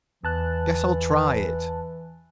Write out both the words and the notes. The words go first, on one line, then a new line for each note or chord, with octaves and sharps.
"Guess I'll try it."
E2 E3 A5 F#6